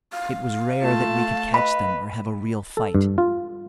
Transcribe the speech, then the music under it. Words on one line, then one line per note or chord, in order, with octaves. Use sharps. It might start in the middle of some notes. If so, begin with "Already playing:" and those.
It was rare that we could catch them or have a real fight.
F5
A3 F4 A5
B4 D#5 B5
A4
G2
F4